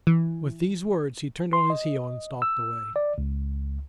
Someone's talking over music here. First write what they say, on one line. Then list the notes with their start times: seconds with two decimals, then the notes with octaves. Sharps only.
With these words he turned on his heel and stalked away.
0.07 E3
1.53 C6
1.70 D#5
2.42 E6
2.96 D5
3.18 C#2